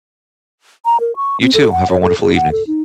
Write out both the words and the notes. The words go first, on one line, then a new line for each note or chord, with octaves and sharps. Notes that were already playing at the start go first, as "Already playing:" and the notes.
You too. Have a wonderful evening.
A#5
A#4
C#6
C4
A4
F#5
C#5
A4
G#4
F#5
A4
D#4